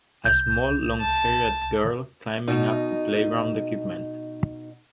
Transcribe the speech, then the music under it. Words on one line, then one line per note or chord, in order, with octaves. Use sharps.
A small longhaired girl climbing up the playground equipment.
C2 G6
A5
B2 D#4